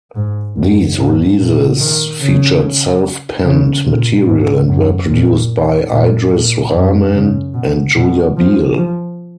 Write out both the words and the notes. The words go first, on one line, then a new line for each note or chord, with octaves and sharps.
These releases featured self-penned material and were produced by Idris Rahman and Julia Biel.
G#2
F#2
G#2
A#2
D#3
C#3
C#3
A#2
G#2
F#2
A#2
A#2
A#2
F#2
C#3
B2
B2
F3
F3